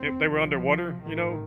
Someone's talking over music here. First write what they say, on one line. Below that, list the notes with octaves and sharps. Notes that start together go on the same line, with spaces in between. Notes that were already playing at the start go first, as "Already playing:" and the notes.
they they were underwater, you know?
Already playing: F1 D#2 C4
C2 C3 F3
A1 G2 D#3